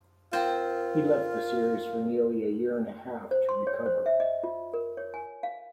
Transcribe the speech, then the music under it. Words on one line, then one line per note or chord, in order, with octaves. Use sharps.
He left the series for nearly a year and a half to recover.
C4 F4 A#4 C5
C5
C6
C#5
C5
E5
D#5
F4
A#4
C#5
G#5
F5